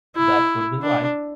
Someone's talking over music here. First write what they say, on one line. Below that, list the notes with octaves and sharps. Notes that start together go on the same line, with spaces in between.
That could be why.
E4
D4